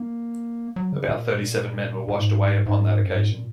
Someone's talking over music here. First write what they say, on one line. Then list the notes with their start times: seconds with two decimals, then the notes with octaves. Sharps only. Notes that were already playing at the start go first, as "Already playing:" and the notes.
About thirty-seven men were washed away upon that occasion.
Already playing: A#3
0.76 F#3
0.92 C#3
1.09 A#2
2.08 A#2
2.19 G#2
2.66 G#2
3.03 F#2
3.14 G#2
3.30 A#2